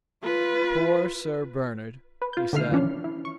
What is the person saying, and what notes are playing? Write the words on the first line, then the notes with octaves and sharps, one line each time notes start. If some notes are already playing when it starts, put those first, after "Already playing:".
"Poor Sir Bernard," he said.
F4 B4
B4
F4 G6
D3 D#3 A3 E5 F6 C7
E3 F3 C#4 D4
E4
C#6